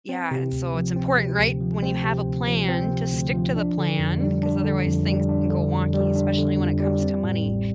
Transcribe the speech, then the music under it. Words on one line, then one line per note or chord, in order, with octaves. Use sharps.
yeah and so it's important right, when you have a plan, to stick to the plan, 'cause otherwise things can go wonky, especially when it comes to money.
C4
C3
D2
F3
C4
C3
D2
F3
C4
C3
D2
F3
C4
C3
D2
F3
D4
D3
F2
G3
D4
D3
F2
G3
D4
D3
F2
G3
D4
D3
F2
G3
C4
A2
A1